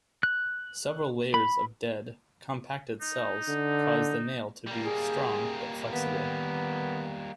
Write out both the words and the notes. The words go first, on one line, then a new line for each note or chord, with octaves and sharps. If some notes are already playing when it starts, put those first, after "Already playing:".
Several layers of dead, compacted cells cause the nail to be strong but flexible.
F#6
B5
D#4
D3
G3 A#3
G#4
D#3 B3